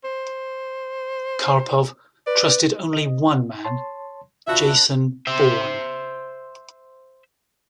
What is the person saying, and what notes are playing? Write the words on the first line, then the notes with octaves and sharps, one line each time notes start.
Karpov trusted only one man: Jason Bourne.
C5
B4 D5
D#5
C#5 A5 C6
D#2 D4 F4 F#4 B4 E5 A5
C5 E5